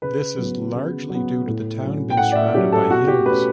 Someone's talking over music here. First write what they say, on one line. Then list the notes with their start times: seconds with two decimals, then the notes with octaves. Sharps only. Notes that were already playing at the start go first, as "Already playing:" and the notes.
This is largely due to the town being surrounded by hills.
0.02 C#3 B4
0.38 F#3 B3
0.75 C#3
1.10 F#3 B3
1.47 A2
1.82 F#3 C#4
2.10 G5
2.17 A2 F#5
2.31 D5
2.35 E5
2.54 F#3 C#4 G4
2.72 A4
2.89 B2 F#4
3.08 G4
3.26 A3 C#4 B4